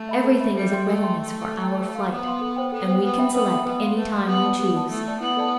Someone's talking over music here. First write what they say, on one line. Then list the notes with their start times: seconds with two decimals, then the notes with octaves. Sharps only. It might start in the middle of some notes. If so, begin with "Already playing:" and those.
Everything is in readiness for our flight, and we can select any time we choose.
Already playing: A3
0.09 E5 B5
0.24 A4
0.40 E5 B5
0.55 G3 A4
0.71 E5 G5 C6
0.86 A3 A4
1.02 E5 G5 C6
1.17 A4
1.33 E5 G5
1.48 A4
1.64 E5 G5
1.79 C5
1.95 F5 C6
2.10 B3 C5
2.25 F5 C6
2.41 A4
2.56 C5 G5
2.72 B3 A4
2.88 C5 G5
3.03 B3 B4
3.18 E5 G5 B5
3.34 B3 B4
3.49 E5 G5 B5
3.65 B3 B4
3.81 F5 C6
3.97 A3 B4
4.12 F5 C6
4.27 B3 G4
4.42 D5 A5
4.58 B3 G4
4.74 D5 A5
4.90 A3 E4
5.06 A4 D5 A5
5.20 B3 E4
5.37 A4 D5 A5